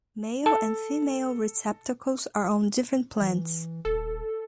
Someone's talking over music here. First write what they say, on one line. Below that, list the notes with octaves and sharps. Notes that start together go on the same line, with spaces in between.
Male and female receptacles are on different plants.
A4 A5
E3
D#1 A4